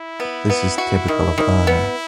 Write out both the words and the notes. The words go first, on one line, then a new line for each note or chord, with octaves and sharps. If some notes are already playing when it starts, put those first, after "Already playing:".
This is typical of Erna.
Already playing: E4
B3
B3
F#4
D#3
D#3
B3